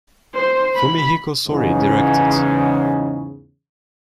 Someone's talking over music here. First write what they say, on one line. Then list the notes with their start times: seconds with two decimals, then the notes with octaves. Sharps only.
Fumihiko Sori directed.
0.34 C5
0.75 B5
1.48 E2 G#2 C#3